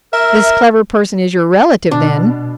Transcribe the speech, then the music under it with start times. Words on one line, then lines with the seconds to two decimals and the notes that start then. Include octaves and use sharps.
"This clever person is your relative, then?"
0.13 A#4 E5
1.91 B2 D4